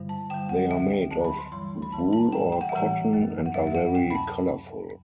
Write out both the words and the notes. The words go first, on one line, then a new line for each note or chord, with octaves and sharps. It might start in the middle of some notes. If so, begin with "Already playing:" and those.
They are made of wool or cotton and are very colorful.
Already playing: G2 D3 G3
A5
G2 D3 G3 G5
F#5
D2 D3 F#3 E5
G5
D2 D3 F#3 A5
B5
C6
G2 E3 G3 C6
B5
G2 E3 G3 A5
A5
A2 E3 G3 G5
G5
F#5
E5
A2 E3 G3 F#5
F#2 F#3
F#5
F#2 F#3 E5
E5
F#5
D2 C3 F#3 G5
B5
A5